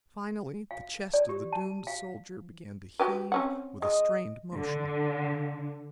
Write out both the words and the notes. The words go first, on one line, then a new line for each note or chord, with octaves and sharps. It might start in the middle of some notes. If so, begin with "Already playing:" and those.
Finally, the chest of the doomed soldier began to heave with a strained motion.
F5
D5
G4
A5
F5
F#4 G4 B4
C4 C#4 F#5
G#3 D#5
D3